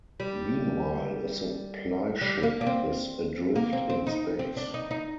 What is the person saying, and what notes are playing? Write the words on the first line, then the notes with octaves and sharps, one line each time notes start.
Meanwhile, a Supply Ship is adrift in space.
G3
G3
A#3
D4
C4
A#3
C4
C4
D#4
C4
D4
D#4
D#4